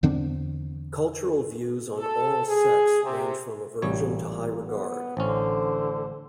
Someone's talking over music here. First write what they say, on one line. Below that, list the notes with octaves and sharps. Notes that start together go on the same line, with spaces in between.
Cultural views on oral sex range from aversion to high regard.
E2 D3 C4 D4
A4
G#4
C3
A1 A#2 G3 C#5
B3
A1 D3 C#4 C5